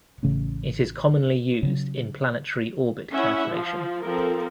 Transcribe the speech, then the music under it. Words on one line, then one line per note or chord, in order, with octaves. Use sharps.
It is commonly used in planetary orbit calculation.
A1 C#3 A3 C#4
C#3 F#3
C#4 E4 E5 F#5
F3
F3 C4 A4 A#4